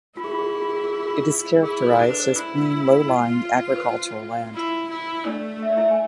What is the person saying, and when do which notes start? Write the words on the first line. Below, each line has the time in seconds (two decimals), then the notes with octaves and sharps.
It is characterized as plain, low-lying agricultural land.
0.16 E4 F4
0.24 G#4
0.31 F4
0.39 G#4
0.46 F4
0.55 G#4
0.62 F4
0.69 G#4
0.77 F4
0.84 G#4
0.93 F4
1.00 G#4
1.07 F4
1.15 G#4
1.23 F4
1.62 E4 G#4
1.82 B4
1.87 A4
1.99 D4
2.11 B4
2.20 C5
2.30 B4
2.35 E4
3.08 F4
3.76 B4
3.81 C5
4.54 E4
4.90 E4
5.26 A3 D4 D5
5.63 E5
5.70 D5
5.77 E4 E5
5.91 G#5